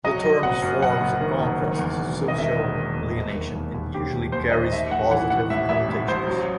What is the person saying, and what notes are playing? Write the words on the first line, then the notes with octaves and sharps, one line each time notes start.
The term forms a contrast to social alienation and usually carries positive connotations.
F#3 D#5
F#3
F#1 F#5
F#2
F#2 F#5
F#1
D#3
F#1
D#3
E2
E1
D#3
D#5
D#3 E5
E1
D#3
E2
D#2
D#3
D#2
D#2
D#2 G4
D#2
D#2 C5
D#3 D#5
A1 E5
A1 F#5
E3 F#5
A2 F#5
A2 E5
A1 E5
A2 E5
A1 C5
F#3